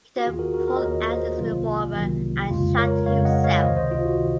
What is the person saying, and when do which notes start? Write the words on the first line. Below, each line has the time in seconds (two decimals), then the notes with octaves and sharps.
He then pulled out his revolver and shot himself.
0.17 F#4
0.26 D#2 D#3 A#3 F4 G#4
0.39 F#4 A#4
0.54 F#4 A#4
0.68 F#4 A#4
0.76 D#5
0.82 D#2 D#3 A#3 A#4 C#5
1.09 C5 D#5
1.37 C2 C3 D#3 F#3 A#3 F4
1.94 C2 C3 D#3 F#3 A#3
2.51 F2 C#3 G#3 F4
2.78 A#4 C#5
3.06 F2 C#3 G#3 C#5 F5
3.25 D#5 F#5
3.44 C#5 F5
3.62 C#2 C3 D#3 C5 D#5
3.77 C5 D#5
3.91 F4
4.05 F#4
4.19 C3 D#3